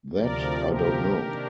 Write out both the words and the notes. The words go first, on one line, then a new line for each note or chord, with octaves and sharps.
That I don’t know.
D2 C3 F3 A#4 D5
G4 A#4
C3 D#3 A#3 D4